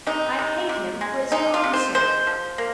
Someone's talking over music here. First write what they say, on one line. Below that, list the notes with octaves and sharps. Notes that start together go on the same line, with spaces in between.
I hate him for his own sake.
C3 D#4
C3
C3
G#3
G#3 D#4
F4
C3
C5
G#3 C5
F3
A#3